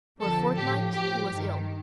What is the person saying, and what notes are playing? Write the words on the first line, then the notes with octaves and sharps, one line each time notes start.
For a fortnight he was ill.
F2 D3 F3 A4
A2 F3 G4
A2 F3 G4
G2 D#3